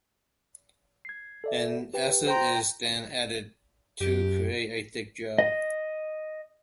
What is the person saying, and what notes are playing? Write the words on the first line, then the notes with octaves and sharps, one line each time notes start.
An acid is then added to create a thick gel.
G#6 C7
A4 D5 E5
G4 B4 G5
C5 G5 A#5 C6
F#2 G4
D#5